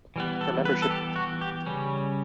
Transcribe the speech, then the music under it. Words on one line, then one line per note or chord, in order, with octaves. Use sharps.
Her membership continued until her death.
E3 G3 B3
A4
B4
A4
G4
F#4
G4
C#3 G3 C#4